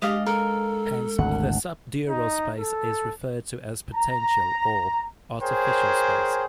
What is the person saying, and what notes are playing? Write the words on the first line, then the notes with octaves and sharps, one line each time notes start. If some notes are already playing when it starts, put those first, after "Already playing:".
Hence, the subdural space is referred to as "potential" or "artificial" space.
G#3 D4 G4 D#5 F5
A4 A#4
G#1 D2 F#5
D#4
A4
A#5
G#4 A#4 C5 C#5 G5 G#5